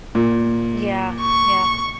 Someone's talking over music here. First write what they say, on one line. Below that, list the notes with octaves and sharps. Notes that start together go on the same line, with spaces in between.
Yeah, yeah.
A#2
C#6